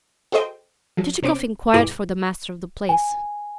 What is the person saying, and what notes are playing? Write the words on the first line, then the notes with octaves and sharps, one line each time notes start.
Chichikov inquired for the master of the place.
F#4 G#4 A4 C5 D#5 G5
F3 F#3
C3 C4 C#4 D6
G2 B2 E4 G#4 D6
G#5